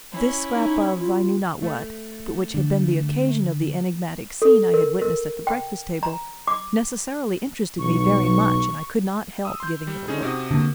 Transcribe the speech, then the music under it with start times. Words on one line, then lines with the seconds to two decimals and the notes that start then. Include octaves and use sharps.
This scrap of I knew not what, but which had been the occasion of the enigmatic scene I had witnessed at the breakfast-table, necessarily interested me very much and I could not help giving it a look.
0.12 C#4 E4
0.54 D#4
0.96 F4
1.63 A3
2.54 D3
4.42 A4
4.74 A#4
5.02 A#4
5.47 G5
6.03 A#5
6.47 D6
7.79 B1 C#6
9.45 D#6 E6
9.60 C6 G6
9.87 G3
10.08 C#4 D#4 G#4
10.23 C3 F#4 D#6
10.51 D3 A#3